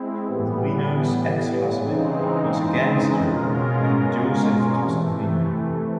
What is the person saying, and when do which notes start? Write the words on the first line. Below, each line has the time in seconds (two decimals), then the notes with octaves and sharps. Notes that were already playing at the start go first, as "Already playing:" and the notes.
Gulino's ex-husband was a gangster named Joseph Costilino.
Already playing: G#3 C4 E4
0.25 A2 E3 G3 B3
1.77 C#3 E3 G#3 C4 D#4
3.28 B2 G#3 C#4 F4 A#4
4.78 C3 E3 A3